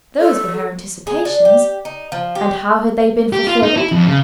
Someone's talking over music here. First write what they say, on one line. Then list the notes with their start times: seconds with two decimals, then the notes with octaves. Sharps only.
Those were her anticipations--and how had they been fulfilled?
0.21 A4
1.07 G#4
1.25 D4
1.45 G4
1.85 D#4
2.12 F3
2.35 G4
3.33 G4
3.47 F4
3.63 D#4
3.77 E4
3.92 F2
4.07 C#3